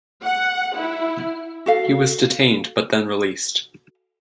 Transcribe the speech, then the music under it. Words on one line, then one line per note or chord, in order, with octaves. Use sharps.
He was detained, but then released.
F#5
E4
F#4 A4 F5